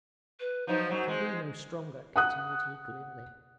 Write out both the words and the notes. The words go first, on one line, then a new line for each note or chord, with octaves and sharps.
It can be no stronger,' continued he, gloomily.
B4
F3 F#3 D#4 C5
F#2 A#2 F#3
G#3 C4
F#5 D#6 F#6